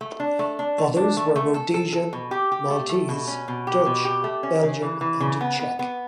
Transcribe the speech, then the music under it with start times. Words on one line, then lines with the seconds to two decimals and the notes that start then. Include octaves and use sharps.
Others were Rhodesian, Maltese, Dutch, Belgian and Czech.
0.01 A3
0.20 D4
0.39 A3
0.59 D4
0.78 A3
0.96 D4
1.17 A3
1.36 A3
1.54 A4
1.74 A4
1.93 A4
2.13 B2
2.31 G4
2.52 G4
2.70 A3
2.89 A3
3.09 B2
3.27 C#4
3.48 B2
3.67 G4
3.86 B2
4.05 G4
4.24 A3
4.43 C#4
4.63 C#3
4.82 E3
5.01 E3
5.20 C#3
5.41 B3
5.59 B3
5.79 B3